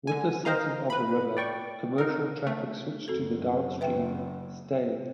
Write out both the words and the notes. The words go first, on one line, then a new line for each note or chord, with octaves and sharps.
With the silting of the river, commercial traffic switched to the downstream Staithe.
D3 G#5
A#4 C5 D#5 F5 A#5
B4 B5
D5 G5 C#6
D#4 A#4
A3
F#1 C4 F#4 A4
B4 E5 G5